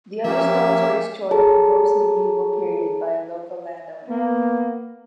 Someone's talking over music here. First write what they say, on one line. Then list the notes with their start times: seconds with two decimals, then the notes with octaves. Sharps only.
The other stones were destroyed in the post-medieval period by a local landowner.
0.25 F3 A#3 C#4 G4 E5
1.31 G#4 A4 C#5 A5 A#5
4.09 A#3 B3